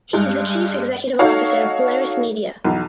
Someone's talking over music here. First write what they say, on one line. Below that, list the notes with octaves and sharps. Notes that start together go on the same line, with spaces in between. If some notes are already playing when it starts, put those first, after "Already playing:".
He is the chief executive officer of Polaris Media.
G2 G#3
D#4 F#4 A4 C#5 F5
B1 E2